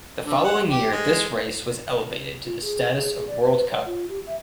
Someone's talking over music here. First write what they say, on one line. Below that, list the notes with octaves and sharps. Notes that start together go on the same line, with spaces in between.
The following year this race was elevated to the status of World Cup.
D3
F#5
G4
G#3
F4
G#4
G#4
G#4
D5
B4
C#5
F4
G4
E5